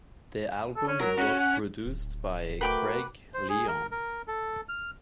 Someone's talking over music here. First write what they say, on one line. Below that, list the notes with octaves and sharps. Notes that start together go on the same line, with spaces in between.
The album was produced by Craig Leon.
A4
C#4
F#3 A#4
C#4 F#4
F#5
D1
A3 F#4 A#4 B4 G5 D6
C5
G#4
A#4
A#4
A4
F6